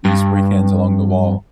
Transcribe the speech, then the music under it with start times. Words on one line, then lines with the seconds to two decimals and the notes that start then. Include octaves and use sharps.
these spray cans along the wall?"
0.05 G2